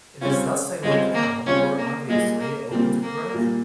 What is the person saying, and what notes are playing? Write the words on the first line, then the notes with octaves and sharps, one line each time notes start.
It is thus a locale more obviously open to corruption.
C#3 G3 C4 C#4 F4
C#3 G3 G#3 C4 F4
A#3
C#3 G3 C4 C#4 F4
A#3
A#2 G3 G#3 A#3
A#3
A#2 G3 A#3 C4
A#3
A#2 G3 A#3